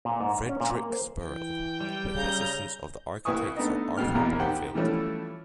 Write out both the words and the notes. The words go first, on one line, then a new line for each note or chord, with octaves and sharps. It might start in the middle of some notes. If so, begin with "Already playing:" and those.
Frederick Spurrell, with the assistance of the architect Sir Arthur Blomfield.
A#2
G#2
A#5
C#4
A#2
A#3
C5
E3 G5
G3
C#3 A#5 G6
C2 E4 B4 G#5 C#6 D#6
A3 B3 D4 D#4 D#5
F2 B2 G#3 B3 G5 F6
A#1 E2 B2 A#3 E4 A#5
D#4 G4 C5 F#5 G5
E3 F3 G3 A3 C#4 E4